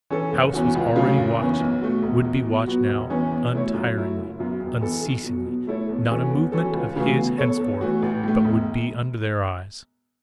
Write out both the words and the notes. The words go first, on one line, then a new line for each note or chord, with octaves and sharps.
The house was already watched, would be watched now untiringly, unceasingly; not a movement of his henceforth but would be under their eyes!
E3 C#4 A4
F#1
E2 E3 C#4 F#4
C#2
C#3 F#3 A3 C#4
F#1
E2 E3 C#4
B1
B2 A3 F#4
E1
E2 B2
B2
F#3 B3 F#4
E1
E2 E3 C#4
E2
B2 A3 E4 C#5
F#2
F#3 A3 E4
F#1
F#2 F#3 B3
E1
E2 E3 B3 A4
B1
B2 F#3
B2
A3 E4 A4 C#5
E2
E3 C#4 F#4 A4
E2
E3 C#4 F#4 A4
C#2
C#3 E3 A3 F#4
B2
B3 A4 C#5
E2
E3 A3 F#4
A1
A2 A3
E1